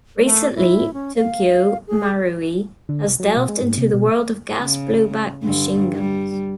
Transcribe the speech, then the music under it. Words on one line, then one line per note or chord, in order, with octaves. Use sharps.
Recently, Tokyo Marui has delved into the world of Gas Blowback Machine Guns.
A3
E4
C#4
F5
G#4
D3
C2
F#3
B2
G#3
G#2
C3
B2
C#3
G2 D3
G3